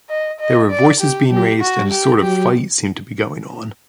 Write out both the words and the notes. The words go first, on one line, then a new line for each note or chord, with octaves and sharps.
There were voices being raised and a sort of fight seemed to be going on...
D#5
D#5
D5
G4
F#3 G4
F#4
G3
G4
F#3 G4